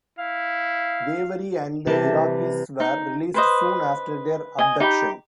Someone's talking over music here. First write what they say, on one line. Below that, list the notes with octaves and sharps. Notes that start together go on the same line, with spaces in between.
Dewari and the Iraqis were released soon after their abduction.
E4 F5
C3 E3 G3 A5
D#4
B4 C5 D#5
D#5 G#5
D#4 G4 G5 B5